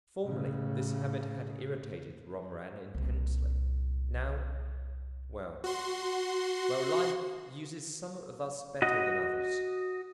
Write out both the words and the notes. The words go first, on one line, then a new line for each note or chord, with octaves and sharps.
Formerly this habit had irritated Romarin intensely; now ... well, well, Life uses some of us better than others.
A2 C#3
C2 A#2
F#4 C6
F#4 D#5